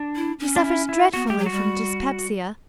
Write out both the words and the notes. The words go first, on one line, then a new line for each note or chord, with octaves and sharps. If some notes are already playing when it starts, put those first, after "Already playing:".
She suffers dreadfully from dyspepsia.
Already playing: D4
E4
C#4
D4
E4
E4
B3 F#4
A3 G4
F#3
F#4
G3